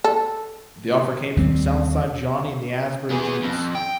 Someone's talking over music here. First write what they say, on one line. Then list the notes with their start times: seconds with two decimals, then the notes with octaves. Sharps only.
The offer came from Southside Johnny and the Asbury Jukes.
0.04 A4
1.37 D#2 G3 C4
3.11 B3 G#4
3.43 F2
3.75 G5